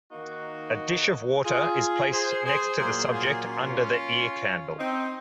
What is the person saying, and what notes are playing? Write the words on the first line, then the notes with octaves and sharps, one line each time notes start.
A dish of water is placed next to the subject under the ear candle.
D#3 A#3 D#4 F#4
F4 G#4
G#4 C5
G#4 C5
A#2 F#3 A#3 G#4 C5
F4 G#4
C#4 F4
C4 D#4